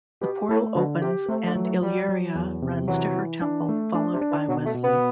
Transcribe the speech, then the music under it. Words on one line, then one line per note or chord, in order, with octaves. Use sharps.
The portal opens and Illyria runs to her temple, followed by Wesley.
B2 G4
A2 A3
B2 D3
C3 G4
C3 A3
D3
F#3
E3
F#3 G3
F#3
E2
C3
E3 F#3
E3
D4
A3
D4
C3
D4
E3
B2 F#3
A3
B2
B3